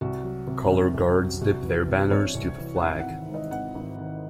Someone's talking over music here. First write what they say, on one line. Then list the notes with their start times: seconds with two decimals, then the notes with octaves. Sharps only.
Color guards dip their banners to the flag.
0.01 C2 F#4
0.24 F#3
0.47 C3
0.71 C2
0.94 C2
1.18 F#3
1.41 C2 F#4
1.64 E3
1.88 C3
2.11 C2 C#5
2.35 C2
2.58 E3
2.76 F#5
2.81 G#1 E5
2.99 F#5
3.04 D#3
3.28 G#2
3.34 D#5
3.51 G#1 F#5
3.75 G#1
3.98 D#3